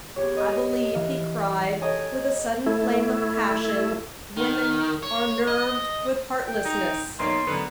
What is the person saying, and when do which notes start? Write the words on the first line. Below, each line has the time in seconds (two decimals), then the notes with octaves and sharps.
"I believe," he cried, with a sudden flame of passion, "women are nerved with heartlessness!"
0.16 B3 G4 C#5
0.35 A#4 D#5
0.94 E3 F5 A#5
1.81 A4 C#5 D#5 G5 G#5 A#5
2.66 A3 E4
4.37 D#3
5.03 C#5
5.48 D#5
6.47 G5
6.65 D#4
7.19 B1 A#3 D#4 C#5 C6
7.47 F#2 D3 B3